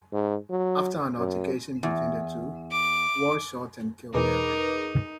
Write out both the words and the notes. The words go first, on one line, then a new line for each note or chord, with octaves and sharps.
After an altercation between the two, Walsh shot and killed Irving.
G#2
F#3
F#2
E2
D6
E2 B2 E3 D#4 G#4 A#4 B4 D6